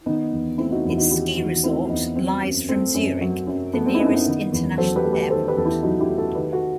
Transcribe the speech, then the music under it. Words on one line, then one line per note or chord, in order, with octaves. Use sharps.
Its ski resort lies from Zurich, the nearest international airport.
D#3 B3 D#4
E2
A3 C4 E4
D#4 F#4
E2
E4
D#4 F#4
D#3 E4 G4
E2 D#4 F#4
A3 C4 E4
E2 B3 D#4
F#3 C4
F#2
A3 C4
F#2
F#3
F#2
A3 B3
C4
E4
F#2 B3 D#4
E4
B3 D#4
D#3
E2
F#3 A4 C5
G4 B4
A3
G4 B4
D#3 A4 C5
G4 B4
E2 A4
E4 G4
F#3 D#4 F#4
E4 G4
A3
F#4 A4
D#3 G4 B4
F#4 A4